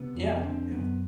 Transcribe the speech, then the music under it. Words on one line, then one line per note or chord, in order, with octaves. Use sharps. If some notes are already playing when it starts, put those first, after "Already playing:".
Yeah. Yeah.
Already playing: C3 B3
F2
B3
D3 C4
F#2 B3